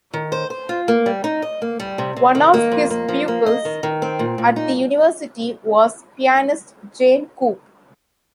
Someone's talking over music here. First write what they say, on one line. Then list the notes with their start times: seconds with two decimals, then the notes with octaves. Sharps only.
One of his pupils at the university was pianist Jane Coop.
0.14 D#3
0.32 C5
0.50 C5
0.69 F4
0.88 A#3
1.06 G3
1.24 D#4
1.42 D#5
1.62 A#3
1.80 G3
1.98 C3
2.16 C3
2.35 D#3
2.54 A#3
2.72 F2
2.90 A#3
3.09 F3
3.28 A#3
3.46 D#5
3.65 D#3
3.83 D#3
4.02 C4
4.19 A#2
4.38 A#2
4.56 D#4